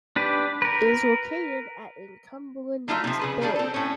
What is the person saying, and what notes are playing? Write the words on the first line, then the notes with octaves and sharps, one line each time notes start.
It is located at in Cumberland East Bay.
D4 G4 B4
A#4 B4
F#3 A3 D#4 F4 D#5 E5
C3 F3
C#3 G#4 B4
D#3 F#3 G3 D4 G#4
C4 A4
A2 C#4